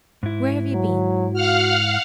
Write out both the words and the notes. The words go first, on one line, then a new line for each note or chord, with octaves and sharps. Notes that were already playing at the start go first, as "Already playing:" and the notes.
Where have you been?'
G#2 E4
F#3
F#4 F5 F#5 F6